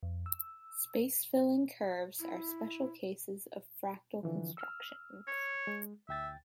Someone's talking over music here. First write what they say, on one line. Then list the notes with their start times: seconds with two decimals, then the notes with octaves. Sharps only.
Space-filling curves are special cases of fractal constructions.
0.03 F2
0.26 E6
2.19 E4
4.23 D3 E3 F3
4.57 E6 F6
5.27 C#5
5.67 G#3
6.09 D2 E5 G5 A6